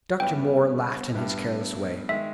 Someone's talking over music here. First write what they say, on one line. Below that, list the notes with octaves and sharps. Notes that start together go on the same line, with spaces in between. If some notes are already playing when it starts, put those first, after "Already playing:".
Dr. Moore laughed in his careless way.
G2 G3 B3 E4 G5
G2 G3 B3 E4
D#3 G#3 E5